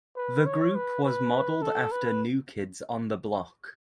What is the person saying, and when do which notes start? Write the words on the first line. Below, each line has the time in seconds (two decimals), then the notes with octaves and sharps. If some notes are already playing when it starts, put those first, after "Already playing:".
The group was modeled after New Kids on the Block.
0.16 B4
0.46 C#5
0.75 B4
1.05 B4
1.62 A4
1.92 B4